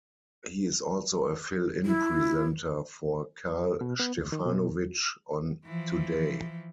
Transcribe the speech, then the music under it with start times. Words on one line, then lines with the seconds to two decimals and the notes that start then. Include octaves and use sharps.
He is also a fill-in presenter for Karl Stefanovic on "Today".
1.86 E4
3.81 B2
4.00 B3
4.18 D2
4.32 D#3
4.46 B2
5.64 E3 F3